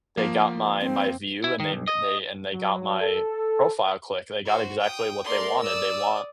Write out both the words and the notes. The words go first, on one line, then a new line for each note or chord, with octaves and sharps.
they got my my view and they m they and they got my profile click. They got exactly what they wanted. They want
F3 A#3
C4
E4
D#3
B1
D#5
F#3
A4
F#4 C5
G5 D#6
A3 A#4 D5 C6
D5 D#6 E6